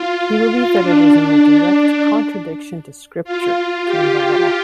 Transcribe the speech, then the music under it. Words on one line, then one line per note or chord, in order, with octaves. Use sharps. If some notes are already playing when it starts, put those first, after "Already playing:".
He believed that it is in "direct contradiction to scripture" to invite all.
Already playing: F4
D4
D4
F4
G4